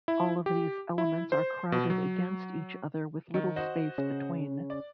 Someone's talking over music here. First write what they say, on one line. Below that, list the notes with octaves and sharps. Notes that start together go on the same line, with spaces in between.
All of these elements are crowded against each other with little space between.
E4
G4
E4
C5
B2
F#3
D#3
F#4 C5 D#5
C#3
D5